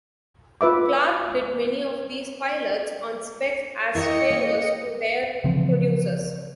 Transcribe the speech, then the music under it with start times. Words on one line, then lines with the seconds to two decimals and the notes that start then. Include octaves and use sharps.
Clark did many of these pilots "on spec" as favors to their producers.
0.61 F4 B4 E5 D6
3.95 E4 G4 A#4 C#5 D#5 C#7
4.30 A#3
5.44 C#3 E3 F3 C4